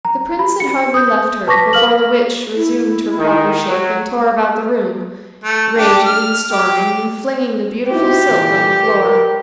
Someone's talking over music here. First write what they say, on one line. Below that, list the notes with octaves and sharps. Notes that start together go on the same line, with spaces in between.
The prince had hardly left her before the witch resumed her proper shape and tore about the room, raging and storming and flinging the beautiful silk on the floor.
A#5
B5
C#7
D#6 G6
B4 A5 C#6 D6 A#6 B6
A#4 F5 F6 F#7
E4
D#3
F#3
A3
D4 G4
F6
G4
D#4 E4 F#4 G4
A#2 D3 E3
A#4 B4